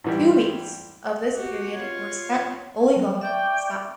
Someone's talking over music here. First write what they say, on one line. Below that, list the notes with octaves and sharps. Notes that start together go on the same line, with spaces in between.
Two weeks of this period were spent at Holy Loch, Scotland.
G#2 E3 G3
F#4 G4
F4 C#5
F#3
D5 E5 G5 C#6 D6